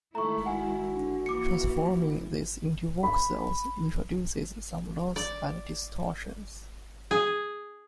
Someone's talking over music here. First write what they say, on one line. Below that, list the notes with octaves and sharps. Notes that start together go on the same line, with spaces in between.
Transforming this into voxels introduces some loss and distortions.
D#3 G#3 A3 E4 A#5 C#6
F#4 F#5 G#5
D3
E3 A#3 D6 C#7
B5
D5
G#4